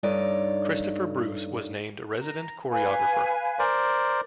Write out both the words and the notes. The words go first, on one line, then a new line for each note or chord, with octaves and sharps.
Christopher Bruce was named resident choreographer.
G2 D#4 A4 C#5 D5
A#5
B4 F5 G#5
A#4 C5 D5